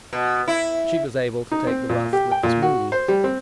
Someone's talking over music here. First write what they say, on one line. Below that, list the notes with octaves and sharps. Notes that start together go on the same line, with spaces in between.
She was able to take the rough with the smooth.
B2
E4
D#4
C4
A#2
G4
G5
A#2
F#4
C5
G3
C4